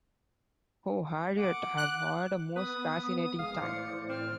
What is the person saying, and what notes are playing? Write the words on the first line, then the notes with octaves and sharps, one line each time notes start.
Oh, Harriet, I’ve had a most fascinating time.
F#5 D6
F#6
B3 B4 D#6
F1 G#3 G#4 F5
A2 E3 C5 D5 C#7
C4 F6